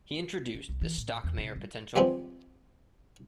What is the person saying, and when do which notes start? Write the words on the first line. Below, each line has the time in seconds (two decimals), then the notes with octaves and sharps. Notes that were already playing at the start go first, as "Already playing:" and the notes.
He introduced the Stockmayer potential.
0.54 C#4
0.69 C2
0.81 E3
0.98 A2
1.24 E2
1.38 C3
1.56 G3
1.96 D#2 F3 G3 G#3 B3 C4